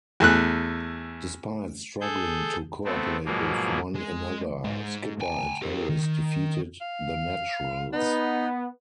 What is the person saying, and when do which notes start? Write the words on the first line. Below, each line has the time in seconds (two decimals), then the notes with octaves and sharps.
Despite struggling to cooperate with one another, Skipper and Harris defeated The Naturals.
0.20 E2 A3 F#6
2.01 G#4 A4 G6
2.84 A3 B3 C4
3.25 G#2 B2 F3 F#3 A#3
3.95 G#3
4.64 G#2
5.20 G5 G#5
5.62 G4 A#4
5.89 D#3
6.81 F5
7.93 B3 D#4